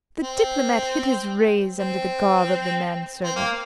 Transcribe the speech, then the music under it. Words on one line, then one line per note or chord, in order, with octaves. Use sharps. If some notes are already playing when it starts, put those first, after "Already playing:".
The diplomat hid his rays under the garb of the man-servant.
C4
C4
C4
A#3